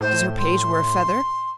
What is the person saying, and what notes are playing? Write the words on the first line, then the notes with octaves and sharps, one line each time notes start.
Does her page wear a feather?
A2 C5
C6